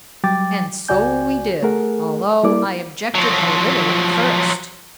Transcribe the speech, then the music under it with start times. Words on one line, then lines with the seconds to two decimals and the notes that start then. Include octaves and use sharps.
And so we did, although I objected a little at first.
0.24 F#3 G3 G5 D6 A6
0.88 C#2 F#4 D5 G#5 G6
1.63 A3 G#4 A#4 F#5
2.43 G3 A#3 E4 A#4 D5 D6
3.15 F3 F#3